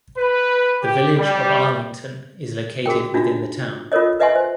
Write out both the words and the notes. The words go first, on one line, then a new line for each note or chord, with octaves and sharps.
The Village of Arlington is located within the town.
B4
G4
G3
F#4 G#4 A#4 G5
D4 D#4 F4 F#4
F4 A4 A#4 C#5 D#5
B4 D#5 E5 F#5 G#5 C6
C5